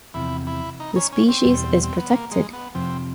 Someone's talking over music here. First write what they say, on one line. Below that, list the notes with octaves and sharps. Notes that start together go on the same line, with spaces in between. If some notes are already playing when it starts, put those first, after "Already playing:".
The species is protected.
E2 C3 F3 E4
E4
D#4
C#4
C#4
C4
E2 B2 G3
C4
B3
A#3
G#3
B3
F2 C3 F3 C4